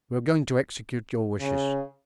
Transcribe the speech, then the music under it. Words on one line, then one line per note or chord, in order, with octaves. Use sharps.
"We are going to execute your wishes."
C#3